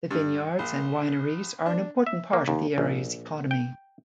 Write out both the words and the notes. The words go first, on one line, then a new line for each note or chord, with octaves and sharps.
The vineyards and wineries are an important part of the area's economy.
G2
A#1
D4
E5
A#3
D#2
A#1
G5